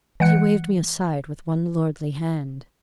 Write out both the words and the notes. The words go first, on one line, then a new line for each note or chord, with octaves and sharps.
But he waved me aside, with one lordly hand.
E3 G#3 F#5 F#6 C#7